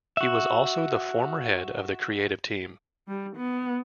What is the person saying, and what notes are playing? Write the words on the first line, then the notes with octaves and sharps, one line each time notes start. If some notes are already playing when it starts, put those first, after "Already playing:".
He was also the former head of the creative team.
F#4 E5
G3
B3